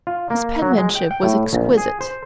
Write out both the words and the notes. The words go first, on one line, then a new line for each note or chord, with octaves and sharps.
His penmanship was exquisite.
F4
A#3
F#3
G#3
G5
G5
A2
A#1
G#4
C5